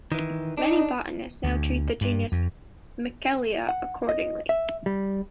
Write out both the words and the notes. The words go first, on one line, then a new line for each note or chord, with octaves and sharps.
Many botanists now treat the genus "Michelia" accordingly.
D#3 E3
D4 D#4
D2
G2
F2
F#5
D#5
E5
G3